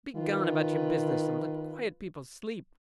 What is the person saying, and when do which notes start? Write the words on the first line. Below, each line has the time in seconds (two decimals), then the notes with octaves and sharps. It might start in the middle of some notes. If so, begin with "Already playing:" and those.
"Begone about your business, and let quiet people sleep."
0.16 D#3 F4 B4